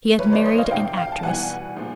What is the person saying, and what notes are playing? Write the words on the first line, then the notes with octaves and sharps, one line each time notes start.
He had married an actress!
D2 D3 F#3 B4 C#5
C5 D5
C#5 D#5
D#5 F5
F2 C3 D#3 F5 G5
F5 G5
A5
E2 B2 G3 F#5 G#5
A#2 F3 G#3